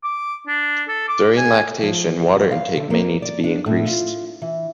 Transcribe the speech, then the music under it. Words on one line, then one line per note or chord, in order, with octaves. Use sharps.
During lactation, water intake may need to be increased.
D6
D4
A4
D6
G#5
F3
F#3
F5
D3
A#3
D5
D4
A2
F4
E3